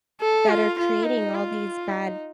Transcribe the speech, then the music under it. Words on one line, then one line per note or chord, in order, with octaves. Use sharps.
that are creating all these bad
A4
F4
F4
D#4
F4
D#4